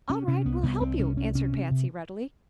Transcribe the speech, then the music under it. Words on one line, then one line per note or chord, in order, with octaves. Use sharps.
"All right; we'll help you," answered Patsy, readily.
C3 C#4
C3 C#4
C2 B3
C2 B3
C2 C4
C3 C#4
C2 C#4
C3 C#4
C3
C3